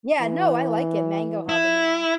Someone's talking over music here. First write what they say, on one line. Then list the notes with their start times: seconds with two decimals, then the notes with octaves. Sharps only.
Yeah, no, I like it, Mango Habanero.
0.21 E3
1.49 E4